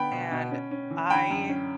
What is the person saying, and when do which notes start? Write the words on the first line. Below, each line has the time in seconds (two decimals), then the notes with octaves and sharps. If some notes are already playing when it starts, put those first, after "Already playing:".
and I
Already playing: D3 B3 G5 B5
0.11 B2
0.32 B2
0.51 C#4
0.71 C#4
0.91 E3
1.10 D3 G5 B5
1.31 F#2
1.49 C#4